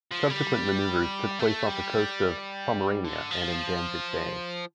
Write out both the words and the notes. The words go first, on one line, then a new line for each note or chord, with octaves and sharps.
Subsequent maneuvers took place off the coast of Pomerania and in Danzig Bay.
F3
G3
A3
G3
D3
F3